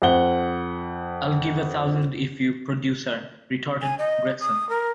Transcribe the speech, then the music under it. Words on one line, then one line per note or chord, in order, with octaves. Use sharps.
I'll give a thousand if you produce her, retorted Gregson.
F2 C5 F#5 G7
G#5
D#5
D#6
A#4